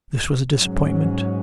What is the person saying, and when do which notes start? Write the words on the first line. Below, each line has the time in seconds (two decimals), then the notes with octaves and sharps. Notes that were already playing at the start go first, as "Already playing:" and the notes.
This was a disappointment.
0.56 G#2 F#3 C#4